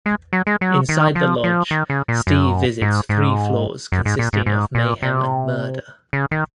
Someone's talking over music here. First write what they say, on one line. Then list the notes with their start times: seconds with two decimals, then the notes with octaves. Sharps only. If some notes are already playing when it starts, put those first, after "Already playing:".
Inside the Lodge Steve visits three floors consisting of mayhem and murder.
0.06 G#3
0.33 F#3
0.47 G#3
0.61 F#3
0.89 D#3
1.15 F3
1.44 F3
1.71 D#3
1.90 C#3
2.08 A#2
2.27 F#2
2.82 G#2
3.09 G#2
3.92 F#2
4.05 G#2
4.19 A#2
4.33 G#2
4.46 G#2
4.75 A#2
5.02 C3
6.13 C#3
6.31 D#3